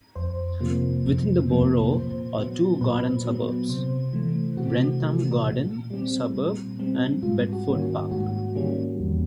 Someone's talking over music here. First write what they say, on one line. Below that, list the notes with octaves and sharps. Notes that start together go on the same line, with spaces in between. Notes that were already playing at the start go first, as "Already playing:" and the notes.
Within the borough are two garden suburbs, Brentham Garden Suburb and Bedford Park.
F2 C5
C3 F3 A#3
F2
C3 F3 A#3
A#2 C5
F#3 B3
A#2 B4
F#3 B3
C3 C5
E3 A3
C3 F#4
E3 A3
A#2
G3 C4
A#2
G3 C4
G#2 F4
F#4
D#3 G3 A#3 C#4
F#4
G#2 F#4
D#3 G3 A#3 C#4
E2